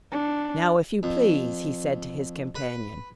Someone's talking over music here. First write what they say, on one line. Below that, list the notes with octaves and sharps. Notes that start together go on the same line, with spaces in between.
"Now if you please," he said to his companion.
D4
F2
B4